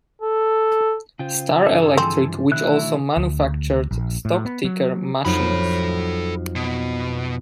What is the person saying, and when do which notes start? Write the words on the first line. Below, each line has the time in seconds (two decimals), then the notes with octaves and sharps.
Star Electric, which also manufactured stock ticker machines.
0.21 A4
1.19 C#3 F4 C5 G5
1.67 G2 D3 G#4 A4 G#5
1.97 C#2 E3 F3 C4
2.51 B2 D3 D#3 F#3 A3 E4 F#6
3.17 D2
3.91 A#1
4.25 A2
4.45 B3
4.64 F#3
5.25 F2 F#3 D#4 A4 B5
6.56 B2